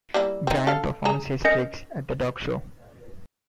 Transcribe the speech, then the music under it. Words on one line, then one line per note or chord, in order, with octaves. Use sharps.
Brian performs his tricks at the dog show.
G3 A#3 E4
C4 D#4
A4 F5
G#4 G#5 A#5
C#4 A#4 D#5 G6 C#7